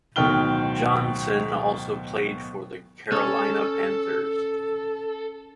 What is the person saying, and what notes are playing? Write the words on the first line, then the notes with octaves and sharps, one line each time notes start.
Johnson also played for the Carolina Panthers.
D1 B2 D#3 G5 F6 G7
C#4 A4